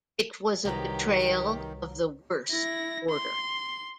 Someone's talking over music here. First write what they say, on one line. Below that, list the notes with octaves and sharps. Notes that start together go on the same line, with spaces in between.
It was a betrayal of the worst order.
C2 D#3 F#3 B3 G4 A#5
E4 A#6
C6